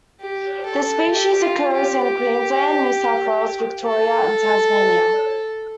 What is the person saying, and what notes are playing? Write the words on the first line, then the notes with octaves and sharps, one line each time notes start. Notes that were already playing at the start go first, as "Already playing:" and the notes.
The species occurs in Queensland, New South Wales, Victoria and Tasmania.
G4
A4
G4
F4
G4
G4
A4